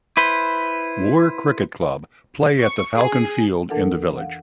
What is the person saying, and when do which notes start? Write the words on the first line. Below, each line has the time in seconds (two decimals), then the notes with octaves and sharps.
Woore Cricket Club play at the Falcon Field in the village.
0.17 E4 B4 C5
2.59 C#6
2.95 G#4
3.70 F2 E3 D4 A4 A#4 F#5
4.17 F5 F#5